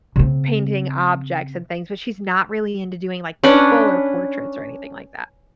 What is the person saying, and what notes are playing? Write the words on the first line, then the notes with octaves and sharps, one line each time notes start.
painting objects and things, but she's not really into doing, like, people, or portraits, or anything like that.
C#3 C4
C#4 D4 B4